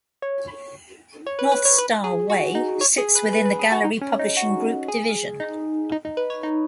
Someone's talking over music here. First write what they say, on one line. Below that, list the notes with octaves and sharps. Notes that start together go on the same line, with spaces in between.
North Star Way sits within the Gallery Publishing Group division.
C#5
C#5
B4
B4
C#5
B4
G#4
F#4
D#4
C#5
G#4
B4
B4
B4
G#4
F#4
D#4
C#4
D#4
F#4
G#4
D#4
D#4
D#4
B4
C#5
D#4